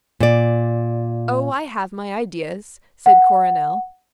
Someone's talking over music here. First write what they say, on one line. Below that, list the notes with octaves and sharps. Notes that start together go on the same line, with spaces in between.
"Oh, I have my ideas," said Coronel.
A#2 D5
F#5